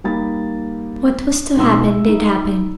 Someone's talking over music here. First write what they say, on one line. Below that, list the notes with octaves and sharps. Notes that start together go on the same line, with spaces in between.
What was to happen did happen.
G3 A#3 D#4 G4 B5 A6
C#2 B2 C4 D#4 C6 E6
E4
D#4 E4